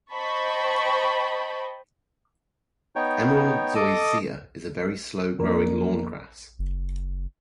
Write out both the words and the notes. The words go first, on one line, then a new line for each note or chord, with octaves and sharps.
Emerald Zoysia is a very slow growing lawn grass.
C5 D#5 G5 A5 B5 C#6
B3 D#4 C#5 G5
A4 D#5 D6 D#6
F2 A#3 D4
F#1